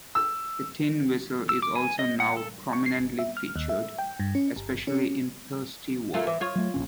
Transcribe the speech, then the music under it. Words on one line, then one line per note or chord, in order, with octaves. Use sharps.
The tin whistle is also now prominently featured, especially in Thirsty Work.
E6
E6
D6
G#5
D#5
F#5
A4
C#6
C7
G1
E5
F6
D#2
E5
G5
G2
C#4
G1
C#4
A3 A#3 F4
E3
F4 C#5
F#3 A3
A#1 G2 C#4